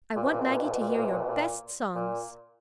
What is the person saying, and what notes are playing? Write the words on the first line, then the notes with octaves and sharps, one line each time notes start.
"I want Maggie to hear your best songs."
A#2
B2
A#2
B2
A#2
B2
A#2
B2
A#2
B2
A#2
B2
A#2
B2
A#2
A#2